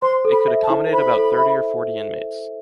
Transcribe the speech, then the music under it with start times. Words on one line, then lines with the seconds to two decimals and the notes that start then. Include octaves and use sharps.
It could accommodate about thirty or forty inmates.
0.02 C5 C6
0.25 A4
0.32 B5
0.48 E5
0.63 A5
0.70 E4
0.93 C5 B5
1.16 A4
1.39 E5